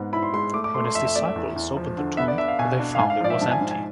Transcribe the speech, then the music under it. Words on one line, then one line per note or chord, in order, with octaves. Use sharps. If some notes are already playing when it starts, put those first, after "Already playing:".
When his disciples opened the tomb, they found it was empty.
Already playing: G#2 B3 C4
E4 B5
C6
G#3 C6
A3 D6
D6
A3 C6
C6
F2 E5
E5
A3 D5
E5
E2
E2
F3
D3
B3 E5
D5
D4 E5
F5
B2 G#5
D4
F5
G#2 G#5
F5
F3 D5
E5
G#2 A5
G#5
G#2
G#5